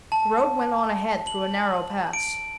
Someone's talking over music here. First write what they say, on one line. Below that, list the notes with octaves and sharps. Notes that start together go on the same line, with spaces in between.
The road went on ahead through a narrow pass.
A5
F#7
D7